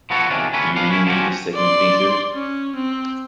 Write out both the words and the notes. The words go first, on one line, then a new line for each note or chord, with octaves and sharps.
Do you really need this segment to be included?
F3 B3 F#4 A4 C#5
E2 C3 D#3 F3 C#4 D4
D2 A#3 C#4 A4 B4
D4 B4 F5
C#4 E4
D3 F3 B3 C#4 F#4 G4
D5 C6
C#4
C4